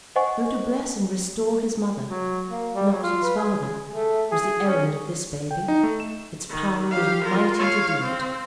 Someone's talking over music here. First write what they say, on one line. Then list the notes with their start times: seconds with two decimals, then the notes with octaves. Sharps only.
Though to bless and restore his mother, not his father, was the errand of this baby, its power was mighty to do it.
0.16 C5 D#5 F#5 G#5 C#6
2.08 F#3
2.48 A#3
2.74 G3
2.92 F#3
3.03 F4
3.23 B4
3.37 G#4
3.89 A3
4.31 G#4
4.67 C#4
5.51 G5
5.68 D#4
5.83 A3
6.00 E7
6.49 D#3
6.91 G4 F5
7.25 F4 A#4
7.58 C#5 F5
8.02 C4